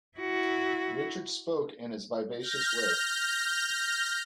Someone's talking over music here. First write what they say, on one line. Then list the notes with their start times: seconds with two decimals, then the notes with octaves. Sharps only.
Richard spoke in his vivacious way.
0.18 E4 F#4
2.39 F6 G6 A#6